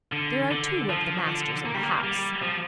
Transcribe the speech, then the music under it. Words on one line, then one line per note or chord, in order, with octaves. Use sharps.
There are two of the masters in the House.
D3
D3
F3
D3
A#3
G3
A#3
G3
F3